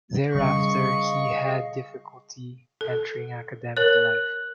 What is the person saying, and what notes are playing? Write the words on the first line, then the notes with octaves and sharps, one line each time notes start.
Thereafter he had difficulty entering academic life.
C#3 G3 C#4 G#4 D#5 F5 C#6
A4
A#4 C#5 F#6 F#7